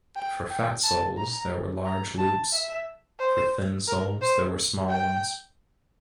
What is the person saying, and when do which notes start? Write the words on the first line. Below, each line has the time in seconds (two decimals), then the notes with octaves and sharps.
For fat souls there were large loops, for thin souls there were small ones.
0.16 G5
0.50 G5
0.83 A5
1.17 A#5
1.85 A#5
2.18 A5
2.53 E5
3.20 C5
3.88 A#4
4.21 C5
4.89 G5